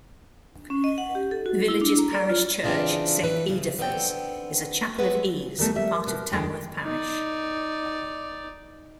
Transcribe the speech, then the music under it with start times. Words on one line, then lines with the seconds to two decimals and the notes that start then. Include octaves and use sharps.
The village's Parish Church, Saint Editha's, is a chapel-of-ease, part of Tamworth Parish.
0.70 C#4
0.84 D#5
0.98 F#5
1.15 G4
1.31 A4
1.46 F#4
1.68 E4
1.81 D4
1.98 A#5
2.13 D5
2.29 F4
2.64 C#3 E3 C4 D4 F4 G#4
3.24 E3 B4
3.50 C#3 A3
3.79 B3 C4 D4 A4 F#5 G5
4.98 G#3 B3 B4 E5 F#5
5.58 D#3 G3 A3 B3
5.75 G3 E5
6.06 B2 A#4
6.32 D#2 D3 G#3 G5
6.83 D#4 D5